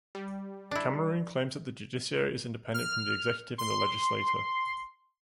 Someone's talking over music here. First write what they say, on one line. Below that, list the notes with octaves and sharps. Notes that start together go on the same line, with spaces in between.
Cameroon claims that the judiciary is independent from the executive and the legislature.
G3
D4 E4
F6
C6